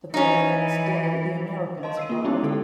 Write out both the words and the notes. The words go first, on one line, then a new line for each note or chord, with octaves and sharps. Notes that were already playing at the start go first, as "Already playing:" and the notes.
The very next day the Americans arrived.
E3 C#4 D#4
D#5 F5 A5 C6
E6 C7 D#7
A#3 F4
G#3 B3 C#4 D#4 E4 G4
D3 G#3 A4